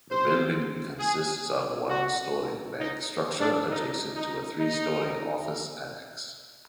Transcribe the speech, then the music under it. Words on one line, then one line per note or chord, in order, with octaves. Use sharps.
The building consists of a one-story bank structure adjacent to a three-story office annex.
C5
G#4
F#4
D#4
D4
D#4
D#4
D#4